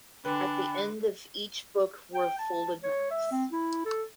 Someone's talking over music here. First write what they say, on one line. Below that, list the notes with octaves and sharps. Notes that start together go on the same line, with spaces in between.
At the end of each book were folded maps.
D3 D4 B4 G5 G#5 B5
G5
A5
C#5
E5
C4
E4
A4